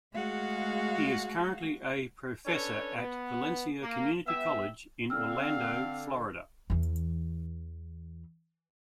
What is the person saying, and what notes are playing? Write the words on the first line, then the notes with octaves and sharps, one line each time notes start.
He is currently a Professor at Valencia Community College in Orlando, Fl.
G#3 A3 F#4 G#4 F5 F#5
C#4 D4 A4 B4 C#5
B3
A#3
G3 B3 E5
D3 C4 F5 E6 F6
E2 E3